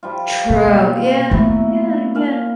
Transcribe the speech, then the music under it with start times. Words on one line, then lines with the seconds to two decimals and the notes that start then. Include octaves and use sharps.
True. Yeah. Yeah, yeah.
0.03 F3 G3 F4
0.50 B2 A#3
1.31 F#3 A3 B3 E4
2.15 A#2 F5 G#5